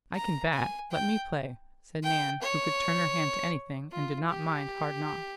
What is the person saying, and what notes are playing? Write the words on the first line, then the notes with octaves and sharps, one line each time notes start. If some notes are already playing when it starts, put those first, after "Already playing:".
"I can bat; let me play," said Nan, who could turn her hand to any thing, and did not mind hard knocks.
A#5
G#5
G5
G5
C#5
F4
G4